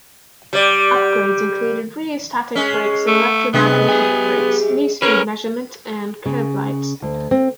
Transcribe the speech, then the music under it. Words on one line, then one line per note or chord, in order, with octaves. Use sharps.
Upgrades included rheostatic brakes and electromagnetic brakes, new speed measurement and curve lights.
G3 D5
G#3 C#4
A3
F#2 C3 G#3 B3
G4 G#5
C#4 G#4 A#4 B4
C#3
D2
C4